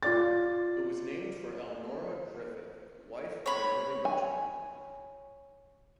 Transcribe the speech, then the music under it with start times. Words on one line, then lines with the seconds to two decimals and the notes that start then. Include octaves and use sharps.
It was named for Elnora Griffith, wife of an early merchant.
0.03 F4 D5 A6
3.46 C#5 B5
4.05 G#5